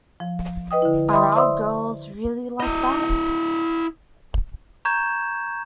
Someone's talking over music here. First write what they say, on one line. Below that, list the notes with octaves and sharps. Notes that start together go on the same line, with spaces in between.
Are our girls really like that?
F3
B4 D#5 G5 D#6
D3 E4
D#5 E5 B5 C6 D#6
C5 D5 E5 C6 D#6 E6
E4 D#5
A#5 C#6 G6 G#6 E7